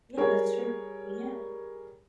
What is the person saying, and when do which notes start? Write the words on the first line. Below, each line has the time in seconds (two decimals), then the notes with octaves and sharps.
Yeah, that's true. Yeah.
0.17 G3 G#4 A#4 C#5